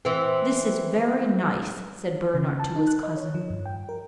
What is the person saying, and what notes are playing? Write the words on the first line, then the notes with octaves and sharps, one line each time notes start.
"This is very nice," said Bernard to his cousin.
E3 C4
C#3
A5
D#4
F#6
D#5
C#5
F3
G2
G5
A#4